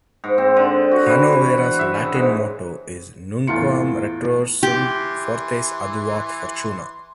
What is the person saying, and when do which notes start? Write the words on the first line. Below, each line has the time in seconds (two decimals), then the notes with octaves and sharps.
Hannovera's Latin motto is Nunquam retrorsum, fortes adiuvat fortuna!
0.24 G#2
0.38 C4
0.57 D3
0.91 F#4
1.06 E3
1.32 E3
1.58 F#5
1.79 E5
1.99 C#3
2.15 G#2
3.47 E2 A2 E4 F4 C#7
4.63 E3 G4 C6